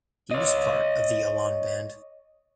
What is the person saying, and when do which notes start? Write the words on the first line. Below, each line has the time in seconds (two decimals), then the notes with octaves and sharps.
He was part of the Alon band.
0.31 C#5 D#5